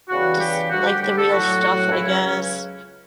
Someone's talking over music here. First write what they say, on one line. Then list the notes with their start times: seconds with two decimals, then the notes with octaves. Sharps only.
just like the real stuff, I guess.
0.09 E2 C#3 E3 G3 F#4
0.40 G4
0.71 D2 D3 G3 F#4
0.86 G4
1.01 G4
1.17 A4
1.32 A2 F#3 F#4
1.62 F#4
1.92 C#2 C#3 F#3 E4
2.08 C#4
2.23 C#4